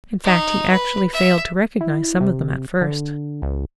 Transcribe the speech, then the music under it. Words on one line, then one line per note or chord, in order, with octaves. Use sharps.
In fact he actually failed to recognize some of them at first.
D#4
B4
E5
E4
C3
D3
C#2